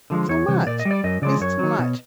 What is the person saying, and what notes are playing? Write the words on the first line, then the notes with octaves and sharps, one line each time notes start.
too much, it's too much.
D3 F3 G#3
E2 C#5
C3 E3 G3
A#2 D5
D#5
G3
D5
F#2 D#5
C#3 F3 G#3 D5
F#2 C#5
D#3 F#3
B2